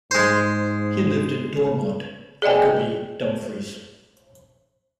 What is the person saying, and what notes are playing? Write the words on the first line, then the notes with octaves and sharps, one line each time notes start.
He lived at Dormont, Lockerbie, Dumfries.
G#2 G#3 C5
G#4 D5 D#5 G5 G#5